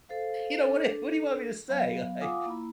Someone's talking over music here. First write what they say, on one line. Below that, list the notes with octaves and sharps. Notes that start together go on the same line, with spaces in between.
you know, what you what do you want me to say, like,
A4 C5 F5
D4 A4
F#3 B3 F5
F4 F5 F#5 G#5 D6 D#6
A#3 E4 B5